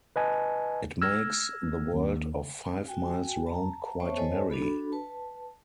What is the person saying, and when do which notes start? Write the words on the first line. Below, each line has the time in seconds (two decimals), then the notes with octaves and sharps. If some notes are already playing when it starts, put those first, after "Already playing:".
It makes the world of five miles round quite merry.
0.16 B4 D#5 G#5 A5
1.02 E6 F6 G#6 A#6
1.93 D#2
2.88 F#4 G5 G#5
3.47 A5 A#5
4.00 B3 C5 C#5 E5 A5 C#6
4.17 A4 C5 C#5 D#5 G#5 A5
4.50 D4 F#4 A4 B5
4.92 B4 A5